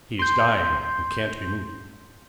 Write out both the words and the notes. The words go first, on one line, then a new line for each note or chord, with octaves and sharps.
"He is dying, and can't be moved."
C6 G6